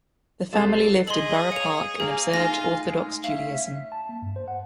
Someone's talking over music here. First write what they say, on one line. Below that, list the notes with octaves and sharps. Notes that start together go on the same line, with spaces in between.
The family lived in Borough Park and observed Orthodox Judaism.
C2 A4 C5
G#4 D#5 C6 F#7
C#5 F5 C#7 F7
A#3 G#4 G#5
A3 D#4 F4 A#6
G#3
C#4 E5 F5
A5
A#3
G2
C5
F#5